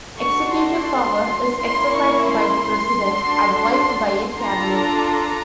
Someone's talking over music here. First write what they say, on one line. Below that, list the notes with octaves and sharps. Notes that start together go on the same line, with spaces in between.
Executive power is exercised by the President, advised by a cabinet.
D4 F#4 A4 C#6
C6
A#3 C#4 E4 C6
C#6
C6
D4 F#4 A4
D4 F4 A4 A#5
A#5